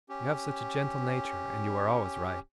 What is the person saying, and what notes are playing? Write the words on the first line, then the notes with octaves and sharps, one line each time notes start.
You have such a gentle nature, and you are always right.'
C#4 G4